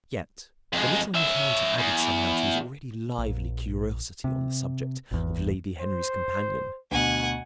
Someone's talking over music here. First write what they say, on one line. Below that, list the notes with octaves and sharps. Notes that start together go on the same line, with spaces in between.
Yet the little encounter added somehow to his already lively curiosity on the subject of Lady Henry's companion.
F2 G#3
C#4 E5
E2
A#1
C3
G#1 E2
C5
D2 B2 F#5 G#5